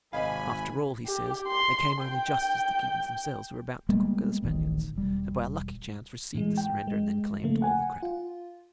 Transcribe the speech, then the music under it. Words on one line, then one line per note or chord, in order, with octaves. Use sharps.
After all, he says, they came only just as the Cubans themselves were about to conquer the Spaniards, and by a lucky chance received the surrender and then claimed all the credit.
G#1 C3 D#5 F5 G#5 B5
G4
C6
G5
G3 G#3 A#3 B3
D1 A1 D#3
E1 G3
A2 E3 G#3
G5
G#3
C#3 F3 A3 A#3
F#5 G#5
F4